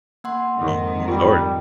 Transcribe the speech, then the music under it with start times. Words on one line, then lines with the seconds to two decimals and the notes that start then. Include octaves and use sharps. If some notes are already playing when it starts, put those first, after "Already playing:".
No, I'm sorry.
0.24 A#3 F#5 C6
0.59 F2 G#2 D#3
1.08 G3 F4